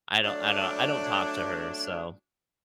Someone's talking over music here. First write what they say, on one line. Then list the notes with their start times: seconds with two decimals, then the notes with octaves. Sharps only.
I don't I don't I don't talk to her, so
0.23 F#3 A3 D4